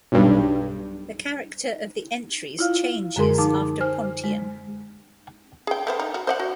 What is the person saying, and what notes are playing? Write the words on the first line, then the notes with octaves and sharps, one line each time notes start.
The character of the entries changes after Pontian.
B1 G2
E4 F4 F5
F#2 D3 G#3 G#4 A#4 C6
F3 D#4 A5 D6
C5 G#5 F6
G#3
G#4 G5
A3 B3 C5
D#4
F#4
C5 D5 F#5
F#4